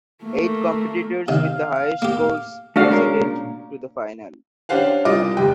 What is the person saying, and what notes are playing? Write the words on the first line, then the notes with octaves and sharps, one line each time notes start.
Eight competitors with the highest scores proceeded to the finals.
A3 A#3
C3 D#3 F5
A#3 G4
A3 D4 F#4 F5
G#3 C#4 A#4
A#2
C#4 D4 G4 C5 F5 F#5
C2 C3 F4 D#5 D6
F1 C3 G5